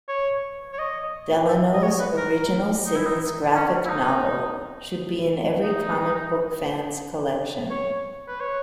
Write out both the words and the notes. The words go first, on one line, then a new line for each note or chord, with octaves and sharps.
Delano's "Original Sins" graphic novel should be in every comic book fan's collection.
C#5
C#5
D#5
E5
D#5
C#5
B4
A#4
D#4
E4
D#4
C#4
E4
D#4
D#4
C#5
B4
C#5